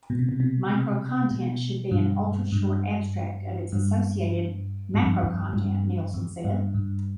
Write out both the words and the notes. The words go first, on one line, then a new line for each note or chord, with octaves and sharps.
"Microcontent should be an ultra-short abstract of its associated macrocontent," Nielsen said.
B2
C3
B2
C3
C3
B2
G2
G2
G2
G2
F2
F2
G2
F2
G2
G2